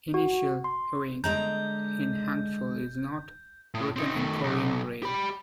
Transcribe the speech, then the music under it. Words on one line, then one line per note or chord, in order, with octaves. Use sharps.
Initial "ieung" in hangul is not written in Korean Braille.
F#4
C6
D3 G#3 A#5 G6
A2
C4 D#4
D#3 A3
B1
G4 B5